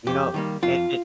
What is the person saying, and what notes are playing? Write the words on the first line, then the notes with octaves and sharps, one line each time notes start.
You know, it it
F2 G4
D#3 G3 A#3
F2 F4